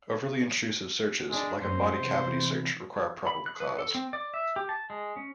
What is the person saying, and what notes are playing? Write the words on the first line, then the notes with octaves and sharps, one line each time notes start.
Overly intrusive searches, like a body cavity search, require probable cause.
G#3 D4
F#2 A#3 C#4 C5
C3 E3 E4
B5
F#6
B4
A4
C4
D5
E5
G4
A5
G#3
C#4